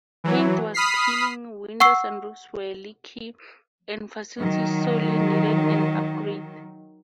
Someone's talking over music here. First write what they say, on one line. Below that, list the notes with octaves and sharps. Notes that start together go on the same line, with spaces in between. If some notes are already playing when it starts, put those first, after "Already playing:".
Paint was peeling, windows and roofs were leaky, and facilities sorely needed an upgrade.
E3 F#3
B5 D#6 F6 B6 C7
F#5 C#6 E6 C7
D#3 F#3